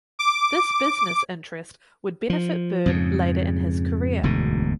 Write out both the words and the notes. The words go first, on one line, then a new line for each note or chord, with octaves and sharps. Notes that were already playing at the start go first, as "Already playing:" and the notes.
This business interest would benefit Bird later in his career.
D6
F3
F2 G#2 C#3
E1 D2 G#2 B2